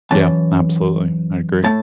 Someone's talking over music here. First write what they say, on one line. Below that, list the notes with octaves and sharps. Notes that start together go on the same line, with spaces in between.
Yeah, absolutely, I agree.
F#2 E3 C#4 A5
A2 A3 A5